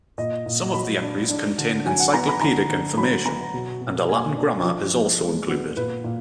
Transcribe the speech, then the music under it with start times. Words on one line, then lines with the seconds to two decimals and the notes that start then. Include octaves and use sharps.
Some of the entries contain encyclopedic information, and a Latin grammar is also included.
0.18 A#2 D#5
0.46 A#2
0.74 F#3 B5
1.02 D4
1.30 D4
1.58 D3
1.85 F#3 G#5
2.00 F#5
2.14 B3 A#5
2.28 B5
2.42 D3 A#5
2.69 D3
2.97 F#3 B5
3.25 B3 A#5
3.54 B2
3.81 B2
4.09 A#3 G#5
4.37 D4
4.65 F3
4.93 F3
5.21 G#3
5.49 B3
5.77 A#2 B4
6.04 A#2